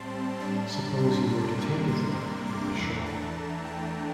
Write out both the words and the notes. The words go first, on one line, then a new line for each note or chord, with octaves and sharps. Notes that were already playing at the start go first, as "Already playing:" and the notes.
Suppose he were to take his luck with a shot?
Already playing: A2 G3 C4 A5 C6
A2 G3 D4 A5
A#5
C6
A#5
C3 G3 A#3 D4
C6
C6
D6
E2 E3 A3 D4 A#5
A5
G5